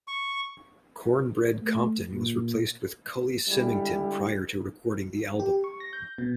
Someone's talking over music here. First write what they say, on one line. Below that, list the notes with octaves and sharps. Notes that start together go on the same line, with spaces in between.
Cornbread Compton was replaced by Cully Symington prior to recording the album.
C#6
A3
A#2
D3 G3 G#3 E4
G4
C#6
A#6
G6
B2